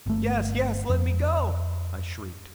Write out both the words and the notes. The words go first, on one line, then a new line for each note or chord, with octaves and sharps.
'Yes, yes! let me go,' I shrieked.
G1 A3
F2